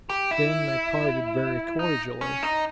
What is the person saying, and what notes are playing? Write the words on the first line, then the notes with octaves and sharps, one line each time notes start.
Then they parted very cordially.
G4
E4
D#4
C#4
D#4